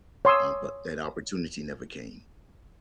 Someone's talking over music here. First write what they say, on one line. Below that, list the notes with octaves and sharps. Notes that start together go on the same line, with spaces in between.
uh, but that opportunity never came.
C#5 C6 D#6 E6